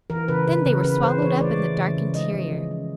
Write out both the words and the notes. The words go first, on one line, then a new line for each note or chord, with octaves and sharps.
Then they were swallowed up in the dark interior.
E3 A#4
C#3 B4
C#3 B4
C#3 A#4
C#3 B4
E3 C5
E3 C#5
A3 D5
E3
C#3
C#3
G#3 D#5
F3
F3
C#4